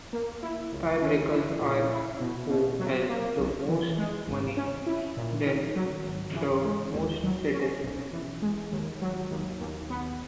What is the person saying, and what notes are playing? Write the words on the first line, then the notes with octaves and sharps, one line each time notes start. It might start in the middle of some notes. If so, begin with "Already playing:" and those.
Tie breakers are who has the most money, then the most cities.
A#3
E4
C#2
C#4
E4
A#2
E4
B2
B2
F#3
A#3
B1
E3
G#3
G#1
C#4
E4
A#2
D#3
F#3
G#1
E3
G#3
D#2
F#3
C#4
B1
E3
G#3
D#2
F#3
D#2
D#2
B3